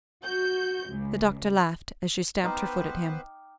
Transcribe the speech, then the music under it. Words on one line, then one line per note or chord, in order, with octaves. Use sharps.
The Doctor laughed, as she stamped her foot at him.
F#4 G6
C#2
B3 D#4 B4 C5 G5 D6 F6